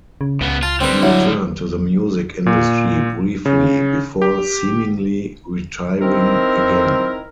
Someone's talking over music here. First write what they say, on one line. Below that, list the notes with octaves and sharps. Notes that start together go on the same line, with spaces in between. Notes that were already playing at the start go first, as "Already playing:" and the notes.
He returned to the music industry briefly, before seemingly retiring again.
C#3
C#2 C#3 B3
F4 A5
D3 G3 C4 B4
F#3 E4
A#2
C#3
G4
C4 D#4 E4 A#4